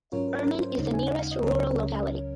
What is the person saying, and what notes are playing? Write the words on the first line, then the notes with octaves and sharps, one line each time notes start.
Urman is the nearest rural locality.
G#2 F#3 C#4 F4 A#4 C#5
A#4
A#4
C5
D#2 C#3 G#3 D#4
G#5
F#5
F5
D#5
C#2 C#3 F#3 C#4 A#4 C#5
A#4